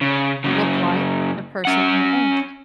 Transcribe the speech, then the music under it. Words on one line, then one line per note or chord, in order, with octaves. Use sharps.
look like the person they raised.
C#3
F#2 C#3
C#4 F#5